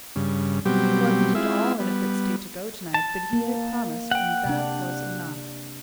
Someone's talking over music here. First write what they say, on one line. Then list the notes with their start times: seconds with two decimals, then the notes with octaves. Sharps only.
"He wasn't at all in a fit state to go to-night, but he had promised, and that was enough."
0.16 G2 C#3
0.65 B2 F#3 G3 C4 G4
1.35 G#3 C4 E4 F4 E5
1.80 G3 B3
2.94 A5
3.33 A#3
4.11 F#5 G5
4.45 C3 D4